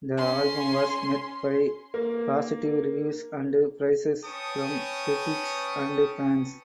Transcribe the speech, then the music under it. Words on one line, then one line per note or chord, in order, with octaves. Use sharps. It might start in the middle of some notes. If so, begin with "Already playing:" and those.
The album was met by positive reviews and praise from critics and fans.
C#4 C6
A#3
C#4 B4 G5 A5 C#6 D#6